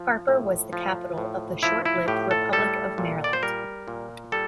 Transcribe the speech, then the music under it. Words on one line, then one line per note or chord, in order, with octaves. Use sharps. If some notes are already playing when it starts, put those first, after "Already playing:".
Harper was the capital of the short-lived Republic of Maryland.
Already playing: F3
A2
F3
A2
F3 E4
E4
A2 G4
A4
G3 A4
A#2
D5
C5
G3 A#4
A#2
G3 A4